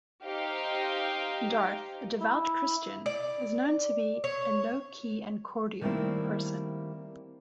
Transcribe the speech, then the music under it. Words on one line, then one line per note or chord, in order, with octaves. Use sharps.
Dearth, a devout Christian, is known to be a "low-key and cordial" person.
D#4 G4 C5 F5
E4
D5
C#5
D#3 G3 A3 A#3 C4 E4